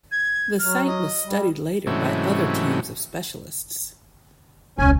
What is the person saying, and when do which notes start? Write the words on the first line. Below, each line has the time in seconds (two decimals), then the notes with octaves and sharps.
The site was studied later by other teams of specialists.
0.12 G#6
0.59 F#3 F6
0.86 D#5
1.24 G3
1.87 G#2 C3 E3 F#3 A3 C#4
4.78 E1 C#2 C#4 G#5